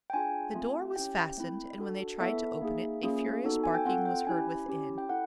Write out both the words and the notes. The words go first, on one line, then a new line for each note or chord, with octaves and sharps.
The door was fastened, and when they tried to open it a furious barking was heard within.
G5
D4 F4 G#4 G#5
A3 C4 F4
C#4 E4 G4 G5
A3 C4 E4
D4 F#4 A4
B3 E4 A4 E5
A#3 D#4 G#4
A#3 C#4 F4 G#4
B3 D#4 F#4 A4
G#5
G5
C4 F4 A4 F#5
G5
C#4 E4 G4 G#5
C#4 E4 G4
G5
E4 A4 F#5